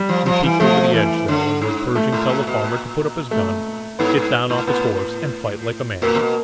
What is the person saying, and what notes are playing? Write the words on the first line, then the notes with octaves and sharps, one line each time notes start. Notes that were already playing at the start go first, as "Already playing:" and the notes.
We peeked over the edge, though, and heard Pershing tell the farmer to put up his gun, get down off his horse, and fight like a man.
Already playing: G3
F3
F3
E3
F3 A3
E3
D3
G#2
A2 A3
A2
A#2
B2
A#2
A3
G#2 B3
G#2
A2
A2 B3
A#2 A#3
C3
B2